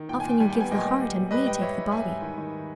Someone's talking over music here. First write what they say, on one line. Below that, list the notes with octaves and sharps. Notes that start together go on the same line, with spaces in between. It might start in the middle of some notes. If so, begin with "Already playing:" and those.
Often you give the heart, and we take the body.
Already playing: D#3
A#2 G5
A#2 G#5
G5
G3 G#5
B3 G5
G#5
A#2 D#5 G5
G3
G3
A#2
G3 B4 D#5
G#2 D#5 G5
G3 C#5 E5
G#2
G3 E5 G#5
G#2
D#3
D#3